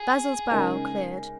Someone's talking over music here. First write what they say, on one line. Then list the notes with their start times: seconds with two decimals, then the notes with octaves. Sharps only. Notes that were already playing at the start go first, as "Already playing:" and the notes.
Basil's brow cleared.
Already playing: G#4
0.51 C#3 G#3 D#4 A#4